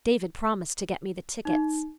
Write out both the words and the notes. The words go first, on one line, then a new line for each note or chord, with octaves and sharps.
David promised to get me the tickets.
D#4